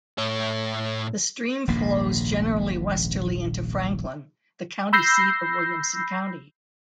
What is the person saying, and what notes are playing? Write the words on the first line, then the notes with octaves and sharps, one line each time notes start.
The stream flows generally westerly into Franklin, the county seat of Williamson County.
A2 C#5
D#1 A#1 G#2 A#3
B5 E6 G6 A#6 C7